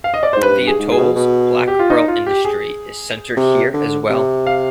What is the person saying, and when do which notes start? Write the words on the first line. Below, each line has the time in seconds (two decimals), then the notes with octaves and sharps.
The atoll's black pearl industry is centered here as well.
0.04 F5
0.14 D#5
0.23 D5
0.33 G#2 C5
0.43 G2 B4
0.61 G2
0.67 G#4
0.79 G#2
0.92 G#4
0.97 B2
1.16 B2
1.68 G4
1.79 F4
1.90 D#4
2.08 F4
2.26 G4
2.45 G#4
3.37 C3
3.74 D3
4.10 C3
4.47 F5